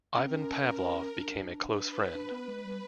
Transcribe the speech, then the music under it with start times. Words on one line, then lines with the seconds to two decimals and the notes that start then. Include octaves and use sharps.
Ivan Pavlov became a close friend.
0.17 C#4 A#4
0.26 C4
0.34 C#4
1.17 D4
1.65 B4
2.15 D4 B4
2.31 B3
2.48 G#3
2.65 G3